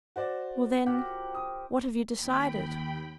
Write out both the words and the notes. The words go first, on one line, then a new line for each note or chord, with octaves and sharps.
"Well, then, what have you decided?"
F#4 C5 D5
F3 F#4 G4 A#4 F#5
D#6
D#2 G5 B5